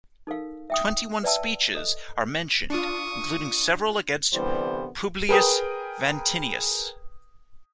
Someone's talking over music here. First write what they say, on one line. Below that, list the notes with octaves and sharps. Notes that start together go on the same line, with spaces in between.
Twenty-one speeches are mentioned, including several against Publius Vatinius.
D#4 A4 A#4 F5
E5 G5 D#6
B4 D5 E5 G5 A5 E6
A4 D#5
D4 F4 C#6 D#6
C2 D3 E3 G3 B3 C5
G#4 A#4 B4 G5 D#6